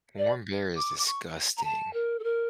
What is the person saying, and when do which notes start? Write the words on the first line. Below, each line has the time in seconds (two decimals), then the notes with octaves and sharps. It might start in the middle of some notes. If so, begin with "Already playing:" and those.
Warm beer is disgusting.
0.18 D5
0.76 D6
0.99 D6
1.07 C#6
1.57 A#5
1.64 A5
1.93 A#4
2.19 A4
2.24 A#4